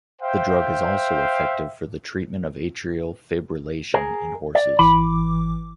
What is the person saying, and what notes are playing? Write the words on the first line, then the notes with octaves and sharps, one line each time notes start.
The drug is also effective for the treatment of atrial fibrillation in horses.
C5 E5 F5 G5
G#4 A#4
D5
G#1 E3 B5 D6